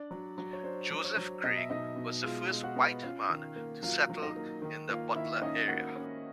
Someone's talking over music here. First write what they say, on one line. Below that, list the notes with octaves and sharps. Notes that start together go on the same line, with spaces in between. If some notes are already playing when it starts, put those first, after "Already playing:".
Joseph Craig was the first white man to settle in the Butler area.
Already playing: D4 D5
F#3
F#3
C#5
D4 C5
F#3
C#5
F#3
B2 D#5
E5
B2 D#4 D#5
B2
G#3 F4 F5
G#3
F#4 F#5
B3
C#4 F4 F5
D#3
A#3
F#3 F4 F5
F#3
D#4 D#5
A#3
D#3
A#3 F4 F5
D#3 E4 E5
C#4 D#4 D#5
A#3 F#4 F#5
C#4